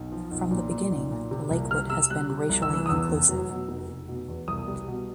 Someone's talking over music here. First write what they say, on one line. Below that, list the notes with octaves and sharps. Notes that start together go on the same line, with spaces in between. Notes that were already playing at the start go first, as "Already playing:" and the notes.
From the beginning, Lakewood has been racially inclusive.
Already playing: B1
F3
B1
A#2
A#2
B1
A#2
C3
C2
C3 F6
C3 E6
G3 F#6
C3
C2
E6
E3
D#6
E2 E6
F1
F#3
B2
F1
F1
B2
E2
C2 D#6
G3
B2